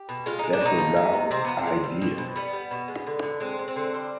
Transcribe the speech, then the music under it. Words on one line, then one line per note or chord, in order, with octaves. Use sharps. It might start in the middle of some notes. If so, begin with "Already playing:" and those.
That's a novel idea.
Already playing: G4
B2
G#3 F4
G#3 D#4
D4
B2 D#4
F3
G#3
C3
C3 C4
F3 B3
C4
G#3
G3
B2
B2
G3 B3
G3
B2
G#3
D3
D3
G#3 C4
G#3
C4
D3
G3